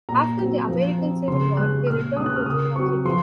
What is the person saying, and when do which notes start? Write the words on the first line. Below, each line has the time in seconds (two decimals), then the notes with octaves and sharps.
After the American Civil War he returned to New York City.
0.09 A#2 A#5
0.39 F#3 C4
0.68 F3
0.98 C4
1.28 C#3 C6
1.57 G#3 C#4 F#6
1.87 A#2 F6
2.17 G#3 C#4 D#6
2.26 F#6
2.36 F6
2.46 C#3 D#6
2.75 F#3 C4 C#6
3.05 F3 C6